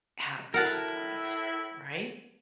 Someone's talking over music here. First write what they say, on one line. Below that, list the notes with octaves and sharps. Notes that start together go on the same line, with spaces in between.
how to be supportive, right?
A2 E4 A#4 F#5 A5